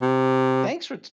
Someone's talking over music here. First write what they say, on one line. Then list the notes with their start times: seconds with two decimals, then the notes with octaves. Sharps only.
thanks for t
0.02 C3